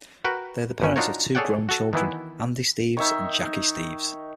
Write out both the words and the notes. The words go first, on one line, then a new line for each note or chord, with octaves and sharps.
They are the parents of two grown children: Andy Steves and Jackie Steves.
F#4 A#4 B4 G5
G1 G2 C#4
D4 D#4 F4 F#4 A#4 C#5
G#4 A4 C#5 D5 F#5 G5
F#4 A4
D#3 E3 B3 E4
D#3 D#4 C#5 E5